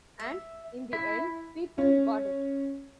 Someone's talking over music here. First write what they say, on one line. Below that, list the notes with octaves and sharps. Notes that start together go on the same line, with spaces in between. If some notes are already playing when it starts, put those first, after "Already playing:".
And, in the end, people got it.
E5
E4
C#4